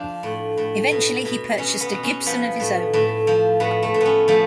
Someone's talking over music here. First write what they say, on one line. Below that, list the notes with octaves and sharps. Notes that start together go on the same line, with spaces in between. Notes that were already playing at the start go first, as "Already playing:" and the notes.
Eventually he purchased a Gibson of his own.
Already playing: F3 D4 F4
A2
A2
B2
B2
B2 C#4
B3
B2
C#4
F3 B3
A2
A2
F3
A2 B3
A3
A2
B3 C#4
F3 A3